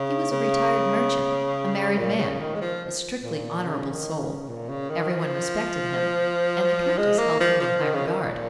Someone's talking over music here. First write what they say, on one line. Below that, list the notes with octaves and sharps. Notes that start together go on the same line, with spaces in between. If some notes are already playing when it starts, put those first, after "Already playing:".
He was a retired merchant, a married man, a strictly honorable soul; everyone respected him, and the Countess held him in high regard.
Already playing: C#3
C#3
A#2
C#3
D#3
G#3
F3
A#2
C#3
D#3
C#3
A#2
C#3
D#3
F3
G#3
A#3
F3
F3
D#3
C#3
D#3
A#2